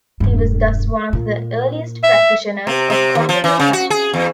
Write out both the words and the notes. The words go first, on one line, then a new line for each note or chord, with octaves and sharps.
He was thus one of the earliest practitioners of cognitive science.
E1 G2
A#2
E5
C3
C3
D#2
F3
E3
C#3
F#4
G#4
E2